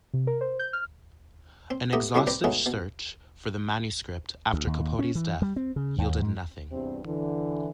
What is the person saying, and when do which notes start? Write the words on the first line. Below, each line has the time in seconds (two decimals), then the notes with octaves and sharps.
An exhaustive search for the manuscript after Capote's death yielded nothing.
0.14 C3
0.27 A#4
0.41 C5
0.59 G6
0.73 F6
1.70 C4
1.93 A3 B3 D#4 G4 D#5
2.14 A2 C3 F#3 G3 D4 E4
2.27 C4 B4 D5 G5 A#5
2.44 G#3 A3 B3 C#4 D#4 F#4
2.66 B2
4.53 D2
4.67 D#2
4.99 C#4
5.15 E3
5.42 G3
5.56 C4
5.76 C#3
5.98 D#2
6.22 G#2
6.71 E2 G2 C3 G3 C4
7.05 D3 E3